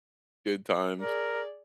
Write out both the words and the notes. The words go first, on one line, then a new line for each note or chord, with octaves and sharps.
Good times.
G#4 A#4 D5